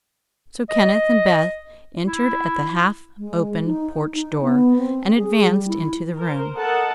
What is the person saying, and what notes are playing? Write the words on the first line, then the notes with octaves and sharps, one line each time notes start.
So Kenneth and Beth entered at the half-open porch door and advanced into the room.
D#5
E4
G#3
D#4
D#4
B3
C4
G#4
G3
E4
A#4 C5
A4 A#4 D#5 F#5 A5